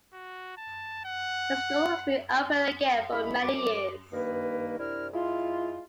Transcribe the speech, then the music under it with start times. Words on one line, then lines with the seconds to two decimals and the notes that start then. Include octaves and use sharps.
The school has been open again for many years.
0.13 F#4
0.57 A5
1.05 F#5
3.12 G#3 E4 B5
3.43 F#2 D6
4.12 G2 D#3 A#3 A#4 B4
4.79 C3 D4 E4 A#4 F6
5.13 G#3 E4 F4